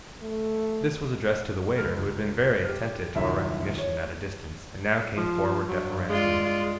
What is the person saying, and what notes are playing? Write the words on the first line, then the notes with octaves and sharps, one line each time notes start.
This was addressed to the waiter, who had been very attentive to our recognition, at a distance, and now came forward deferentially.
A3
C#2 F6
G4 F6
D#1 C2 F#2 D#4 E5
C#5
F3
G2 F#3
G#3 F4 D5